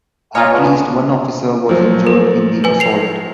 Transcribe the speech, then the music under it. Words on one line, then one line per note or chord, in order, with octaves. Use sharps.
At least one officer was injured in the assault.
F4 A#4 C#5 D#5
G#3 B3 D4
F3 F#3 A#3
A4
B4 G#5
C7 F7